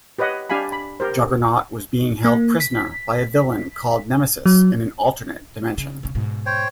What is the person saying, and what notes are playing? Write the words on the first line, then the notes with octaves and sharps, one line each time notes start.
Juggernaut was being held prisoner by a villain called Nemesis in an alternate dimension.
G4 B4 C#5 D#5 F#5
D4 G4 F5 G#5 B5
B5
G4 A#4 C5
A#3
B6
F#3
C#3
D2 C#3
G#2 B2
C5 C#5 G5